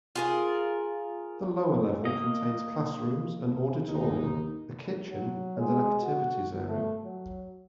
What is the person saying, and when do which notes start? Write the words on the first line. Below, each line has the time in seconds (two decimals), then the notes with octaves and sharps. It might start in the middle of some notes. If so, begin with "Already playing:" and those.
The lower level contains classrooms, an auditorium, a kitchen and an activities area.
0.15 F4 G#4 A#4
2.05 A#3 D#5
3.88 D#2 D#4
5.10 F#3
5.58 G#3
6.03 F#4
6.67 A3
7.04 F#3